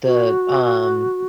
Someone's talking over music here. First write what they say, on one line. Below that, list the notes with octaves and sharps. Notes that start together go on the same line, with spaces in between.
the, um
F#4